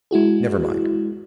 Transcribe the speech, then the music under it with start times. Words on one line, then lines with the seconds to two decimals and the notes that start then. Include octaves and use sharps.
Never mind.
0.11 G#3 E4 F#4 G#4